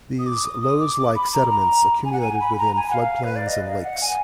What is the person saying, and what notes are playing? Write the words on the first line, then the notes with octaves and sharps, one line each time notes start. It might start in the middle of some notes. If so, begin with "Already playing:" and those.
These loess-like sediments accumulated within floodplains and lakes.
D#6
D6
D#6
D#6
D6
D6
B5
A#5
A#5
G#5
F#5
G#5
B5
A#5
G#5
F#5
F5
B4
D5
D#5
F5
F#5
G#5